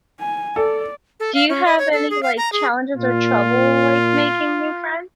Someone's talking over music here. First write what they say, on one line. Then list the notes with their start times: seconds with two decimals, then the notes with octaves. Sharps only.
Do you have any, like, challenges or trouble, like, making new friends?
0.20 G#5
0.56 A4 D5
1.20 A4
1.35 F5
1.49 C#4
1.66 D#5
1.78 C#5
1.93 A4
2.10 G#4
2.23 F5
2.38 A#5
2.52 G#4
2.97 A#2 F4